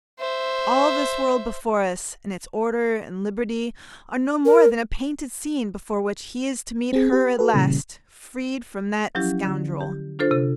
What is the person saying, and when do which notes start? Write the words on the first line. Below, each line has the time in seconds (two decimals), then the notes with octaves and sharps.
All this world before us, and its order and liberty, are no more than a painted scene before which he is to meet Her at last, freed from "that scoundrel."
0.19 C5 E5
4.45 A#4
6.93 C4 G#4
7.12 G4
7.39 F#4 A4 B4
7.54 A#2 C#3 E3 G3
9.15 F3 F#3 C#4 E4 G4
9.45 D3
9.81 G4
10.19 D4 F4 A4 C5
10.31 C3 A4